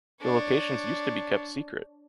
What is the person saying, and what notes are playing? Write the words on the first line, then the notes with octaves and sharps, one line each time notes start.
The locations used to be kept secret.
D4 C#5